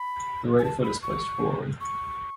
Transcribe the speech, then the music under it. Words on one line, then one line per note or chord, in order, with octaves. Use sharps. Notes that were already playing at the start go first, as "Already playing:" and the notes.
The right foot is placed forward.
Already playing: B5
G#5
A5
B5
C#6
C#6